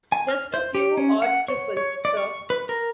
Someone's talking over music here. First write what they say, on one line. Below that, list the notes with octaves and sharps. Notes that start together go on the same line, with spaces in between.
Just a few odd trifles, sir.
G#5
F6
C5
G4
C#4
F#5
C#5
C#5
D5
C#6
B4
A#4